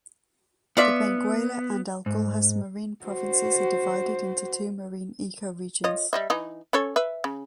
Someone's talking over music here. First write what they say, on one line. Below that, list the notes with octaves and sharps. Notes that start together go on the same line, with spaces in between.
The Benguela and Agulhas marine provinces are divided into two marine ecoregions.
B3 F4 D5 E5
G#2
F#4 C5
F4 C#5 D#5
G3 D#5 E5
E3 D#4
C#4 A4 C#5
B4 E5
C#3